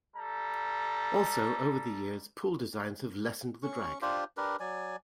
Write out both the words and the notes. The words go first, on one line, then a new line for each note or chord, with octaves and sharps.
Also, over the years, pool designs have lessened the drag.
G3 A4 A#5
C#4 C#6
D4 F4 G4 C5
D4 G4 A#4 B4
F#3 D5 G#5